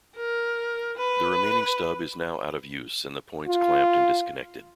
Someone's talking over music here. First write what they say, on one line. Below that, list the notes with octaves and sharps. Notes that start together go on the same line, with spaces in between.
The remaining stub is now out of use and the points clamped and disconnected.
A#4
B4
F4